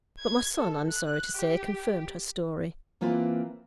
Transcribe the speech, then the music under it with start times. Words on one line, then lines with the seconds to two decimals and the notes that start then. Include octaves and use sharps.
But my son, I am sorry to say, confirmed her story.
0.19 G#6
0.58 A4
0.89 F#6
1.35 G4
3.01 E3 A#3 C4 F4 B4 C5